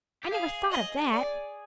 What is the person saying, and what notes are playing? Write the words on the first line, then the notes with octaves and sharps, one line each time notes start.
I never thought of that.
G4
G#4 F5
D#5
D5